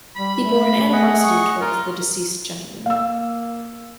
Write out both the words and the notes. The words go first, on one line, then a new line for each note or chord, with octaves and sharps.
He bore an animosity towards the deceased gentleman.
G3 B5
A3
G#4 D#5 F#5
C#6
F4 A#4
A#3 F5 E6